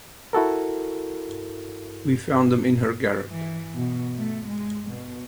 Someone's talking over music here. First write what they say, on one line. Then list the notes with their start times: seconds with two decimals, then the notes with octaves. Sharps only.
We found them in her garret.
0.33 E4 F#4 A4 A#4
3.30 E3
3.77 B2
4.18 A3
4.48 G#3
4.90 B2